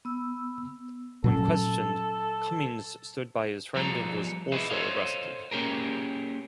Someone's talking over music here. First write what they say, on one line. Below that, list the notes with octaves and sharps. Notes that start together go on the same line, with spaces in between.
When questioned, Cummings stood by his friend and was also arrested.
B3 E6
A#2 F#3 C#4 A4
F3 G3 B3 G#4 A4 A#5
E4 F#4 G#4 B4 D#5
A4 C5 C#5 D#5 F5
A#3 C#4 G4 G#4 A#4